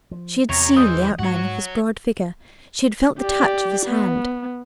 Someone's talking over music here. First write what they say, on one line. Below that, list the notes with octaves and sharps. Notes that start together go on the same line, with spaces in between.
She had seen the outline of his broad figure, she had felt the touch of his hand.
F3
E2 C3 C#5 A#5
E3 G#3 C5 D#6
G#2 F#3 F#4 C#5 F#5
G4 D5
B3